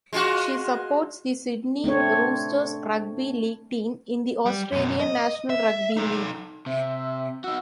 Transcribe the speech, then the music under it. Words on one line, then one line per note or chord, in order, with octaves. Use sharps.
She supports the Sydney Roosters rugby league team in the Australian National Rugby League.
G#3 F4 F#4
A3 C4 D4 C#5
G3
F#2 B2
D#5
E5
D#4 A4
C3 E5
D#4 F#4 E6